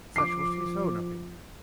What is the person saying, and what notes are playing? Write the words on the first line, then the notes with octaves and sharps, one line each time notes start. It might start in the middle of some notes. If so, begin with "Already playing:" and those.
Such was his own opinion.
F3 D6 C7